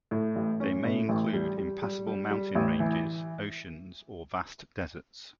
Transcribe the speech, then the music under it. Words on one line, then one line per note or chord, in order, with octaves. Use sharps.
They may include impassable mountain ranges, oceans, or vast deserts.
A2
A1
C#4
A2
A1
G3
G3
G3
G3
G3
A1
E3